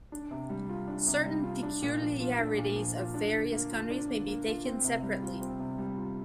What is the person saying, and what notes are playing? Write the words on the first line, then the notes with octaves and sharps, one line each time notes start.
Certain peculiarities of various countries may be taken separately.
D4
C3
G3
F4
D4
C3
G3
F4
D4
A#2
F3
F4
D4
A#2
F3
F4
D4
D3
A#3
F4
D4
D3
A#3
F4
C4
C3
G3
F4
C4
C3
G3
F4